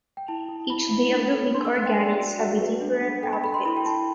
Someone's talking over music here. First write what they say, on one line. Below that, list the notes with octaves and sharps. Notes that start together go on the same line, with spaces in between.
Each day of the week organics have a different outfit.
G5
E4 A5
E4
E4 B5
E4
D4
A4
D4 C6
E6
D4 F#6
G5
D5
F#4
F#4 F#5
B4
D4
D4
A4 G5
B5
A4 B5
C6
E4 B5
G5
E4 A5